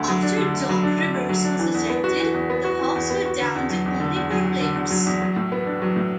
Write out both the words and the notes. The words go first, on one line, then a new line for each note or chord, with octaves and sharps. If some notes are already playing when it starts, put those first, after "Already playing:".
After Doc Rivers was ejected, the Hawks were down to only four players.
Already playing: D2 D3
F#3
D4
D3
D2
F#3
D4
D3
D2
F#3
D4
E3
E2
B3
F#4
E3
E2
B3
F#4
E3
E2
B3
F#4
D3
E2
F#3
E2
D3
E2
F#3
E2
D3
E2
F#3
E2
F#3
A2
B3
D4
F#3
A2